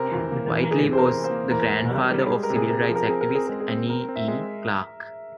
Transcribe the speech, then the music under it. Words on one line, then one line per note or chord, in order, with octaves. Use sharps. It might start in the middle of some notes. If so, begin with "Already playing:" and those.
Whitely was the grandfather of civil rights activist, Annie E. Clark.
Already playing: C3 A#4 C5
E3
A#3
E3
A#4
E3 G#4
C3 C5
A#4
E3
C5
A#3
E3 A#4
E3
G3
G3
G#3 G#4
A#4
C3
G#4
C3 A#4
G#4
F3
A#4
C4 G#4
A#4
C4
G#4
G#3 A#4
G#4
C4
C4 A#4
C4
E5
G#3